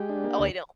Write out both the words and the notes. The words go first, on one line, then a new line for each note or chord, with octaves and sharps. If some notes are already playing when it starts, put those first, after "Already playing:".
Oh, I know.
Already playing: G#3 G4
D4
A#3
D2